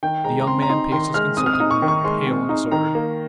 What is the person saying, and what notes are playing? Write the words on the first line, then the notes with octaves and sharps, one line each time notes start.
The young man paced his consulting-room, pale and disordered.
D#3 G5
G#3 A#5
A#5
C4 C6
A#5
D#4 C6
D#3 C6
G#3 F6
C4 D#6
F6
D#6
D#4
C#6
D#3
C#6
G#3 C6
C4
D#4
D#3 A#5
A#3